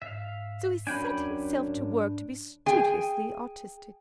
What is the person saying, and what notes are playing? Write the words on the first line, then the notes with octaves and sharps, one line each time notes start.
So he set himself to work to be studiously artistic.
G#2 E5 F5
F#2 D4 G5 G#5 B5
D#2
A#1
G#2
G#4 G5 G#5